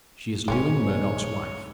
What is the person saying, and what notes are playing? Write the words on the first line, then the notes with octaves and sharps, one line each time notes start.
She is Lewin Murdoch's wife.
A#1 G#2 G#3 A#3 C#4 C#5